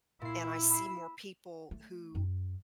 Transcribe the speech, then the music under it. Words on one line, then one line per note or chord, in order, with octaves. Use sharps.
and I see more people who
A#2 E4 C7
B5 E6 C7
A3
F#2